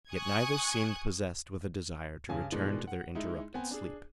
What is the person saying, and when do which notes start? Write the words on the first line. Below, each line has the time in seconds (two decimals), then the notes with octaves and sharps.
Yet neither seemed possessed with a desire to return to their interrupted sleep.
0.11 G#5 C#6 D#6 F#6 G#6
2.29 G2 C#3 G#5
2.52 B2 D#3 E3 G#3 D4 D#4
2.87 F#5
3.15 G#3 D#4 E4
3.54 B3 C4 G#5
3.71 D4 G#4